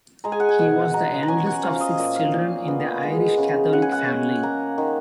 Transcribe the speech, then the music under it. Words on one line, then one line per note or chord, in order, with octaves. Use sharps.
He was the eldest of six children in the Irish-Catholic family.
G#3 A#5
G#5
F#5
G#5
B2
B2 A#5
A#5
C#4 G#5
F#5
F3 F5
D#5
A#2
F5
A#2
B3
G#3
C#3
C#3 F#5
G#5
F#5
C#4
A#3 A#5
D#3